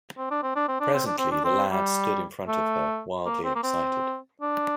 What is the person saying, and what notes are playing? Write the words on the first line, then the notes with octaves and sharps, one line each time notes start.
Presently the lad stood in front of her, wildly excited.
C4
D4
C4
D4
C4
D4
C4
D4
C4
D4
C4
G3
A3
A#3
C4
A#3
C4
D4